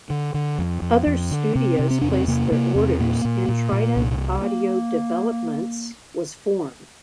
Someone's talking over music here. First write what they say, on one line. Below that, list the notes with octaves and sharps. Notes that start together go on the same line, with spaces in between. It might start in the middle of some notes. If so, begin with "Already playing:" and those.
Other studios placed their orders and Trident Audio Developments was formed.
D3
D3
F2
F2
F2
D3
C3 C4
C3
C4
E2 D4
C4
C3 A#3
C3 A#3
E2 C4
A#2 A#3
A#2
A#2
A#2
C2